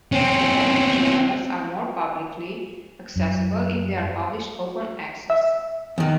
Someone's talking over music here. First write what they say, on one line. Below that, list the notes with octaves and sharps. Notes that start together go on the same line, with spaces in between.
Academic journals are more publicly accessible if they are published open access.
C4 C#4
F#2
E5
E2 D#3